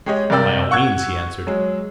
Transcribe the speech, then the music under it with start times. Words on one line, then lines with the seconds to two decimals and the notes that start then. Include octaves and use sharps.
"By all means!" he answered.
0.06 G#3 G4 C#5 D#5
0.30 G2 C3 A#4 D5 G5 E6
0.71 F#5 C#6 E6 F#6 G#6
1.47 F#3 G#3